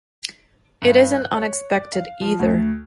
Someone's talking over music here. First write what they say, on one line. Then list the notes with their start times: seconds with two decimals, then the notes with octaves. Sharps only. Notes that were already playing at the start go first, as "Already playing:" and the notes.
It isn't unexpected, either.
0.82 G2
1.16 F#6
1.35 C#5
1.73 D5
1.93 F5
2.21 F3
2.39 D2